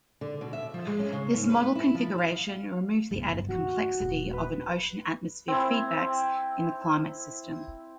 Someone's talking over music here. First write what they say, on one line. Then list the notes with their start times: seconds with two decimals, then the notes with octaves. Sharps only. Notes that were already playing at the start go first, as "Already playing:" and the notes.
This model configuration removes the added complexity of ocean-atmosphere feedbacks in the climate system.
0.21 D3
0.41 B2
0.53 E5
0.74 F3
0.87 G#3
0.99 C#4
1.13 C#3
1.35 G#2
1.50 B4
1.75 E4
1.94 F3
2.18 F5
3.11 G1 C#2
3.49 D#3 D#4 F#4
4.00 D#1
4.33 B4
5.48 C4 E4